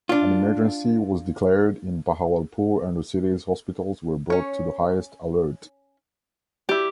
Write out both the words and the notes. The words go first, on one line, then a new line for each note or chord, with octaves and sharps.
An emergency was declared in Bahawalpur and the city’s hospitals were brought to the highest alert.
D4 F4
C#4 C#5
E4 G4 D5